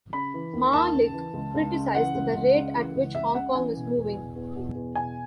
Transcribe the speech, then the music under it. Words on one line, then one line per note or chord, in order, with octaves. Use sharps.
Ma Lik criticised the rate at which Hong Kong is moving.
C#3 B5
E3
D#2
D#2 A5
C#3
E3
C#2
C#2
C#3
E3 F#5
C#2
C#2
C#3
E3
C#2
C#2 E5
C#3 F#5
E3 G#5
B2
E2
B2
E2
B2
E2
B2 G#5